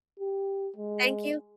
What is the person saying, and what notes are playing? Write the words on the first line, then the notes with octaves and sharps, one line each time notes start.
thank you
G4
G#3